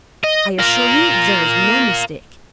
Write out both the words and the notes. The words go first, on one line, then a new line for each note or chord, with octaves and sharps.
I assure you there is no mistake. . . .
D#5
F4 A#4